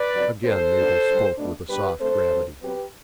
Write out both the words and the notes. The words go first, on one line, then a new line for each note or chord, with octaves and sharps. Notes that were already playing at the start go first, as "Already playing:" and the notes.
Again Mabel spoke with a soft gravity.
Already playing: B4 D5
D3 F#3 C4
C3 F#3 A3 C4 A4 C5
F#2 D3 G3 B3 D4
G2 D3 G3
B2 A3 D4
B2 G3 D4 G4 B4
D3 A3 C4 A4 C5
G2 F#3 C4
B2 F#3 C4 G4 B4